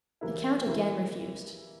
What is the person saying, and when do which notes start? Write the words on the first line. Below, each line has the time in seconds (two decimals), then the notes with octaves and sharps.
The count again refused.
0.21 E3 G3 A#3 E4
0.66 E3 G3 A#3 E4